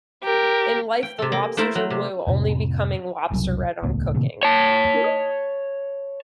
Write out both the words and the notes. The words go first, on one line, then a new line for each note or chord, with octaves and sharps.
In life, the lobsters are blue, only becoming "lobster red" on cooking.
G4 A#4
G5
C3 A4
A#3
A3 A#3 E4 A#4 C5
F#3
C3
F2 A2 C3
F1 C2 B2 F#3
D#1 C#2 A2 B3
A2 C3 D#3 A#3
C#5 A5